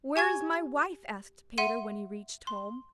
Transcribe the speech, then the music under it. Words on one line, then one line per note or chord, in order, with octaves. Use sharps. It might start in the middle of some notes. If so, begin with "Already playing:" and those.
'Where is my wife?' asked Peter, when he reached home.
G4 G#5 C#6 G#6
E5 F#5 C6 D#7
C6